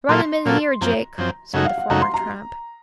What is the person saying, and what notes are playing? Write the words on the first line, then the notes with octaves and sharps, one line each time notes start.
"Run him in here, Jake," said the former tramp.
A#2 F#3 A#3 F4 A4 C6
A#2 F#3 A#3 F4 A4
F#2 F3 C4 A#5
F#2 F3 C4
F#2 C#3 A3 D#4 F#4 F#5
F5
F#5
F#2 C#3 A3 D#4 F#4 A#5
C6
A#5